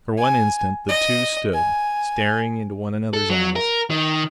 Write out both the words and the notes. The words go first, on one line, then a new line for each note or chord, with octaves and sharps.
For one instant the two stood, staring into one another's eyes.
G#5
D#5
G#5
A4
F#3
A#4
D#3